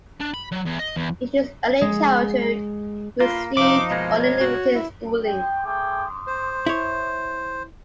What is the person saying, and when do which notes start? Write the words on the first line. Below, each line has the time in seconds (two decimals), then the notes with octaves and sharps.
In his early childhood, he received only limited schooling.
0.21 D4
0.34 B5
0.52 F#3
0.65 E2
0.79 D#5
0.96 E2
1.81 G#3
3.20 A#3 F4 B4 F5
3.57 C3 F3 D#4 F5 D6
3.91 B2 G#3 A#3 D#5
4.20 C#5
4.41 F#4
4.75 E4
5.25 G5
5.65 A3 G#4 G5 D6
6.27 C5
6.66 E4 C#5